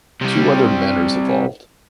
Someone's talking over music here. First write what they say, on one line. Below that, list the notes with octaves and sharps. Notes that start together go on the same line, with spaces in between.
Two other manors evolved.
C3 G3